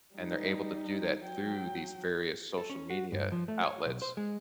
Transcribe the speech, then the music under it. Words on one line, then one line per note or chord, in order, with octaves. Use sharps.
and they're able to do that through these various social media outlets,
G3 D#4
F#3 G5
A4
C#4
F#4
G2
F3
A3
C#5
B1
C5
G#3